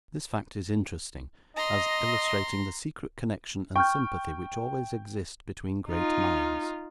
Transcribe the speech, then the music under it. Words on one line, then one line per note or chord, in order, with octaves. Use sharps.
This fact is interesting, as illustrating the secret connection and sympathy which always exist between great minds.
D#5 A#5 C6
G5 C#6 F6 G6
D#4 F4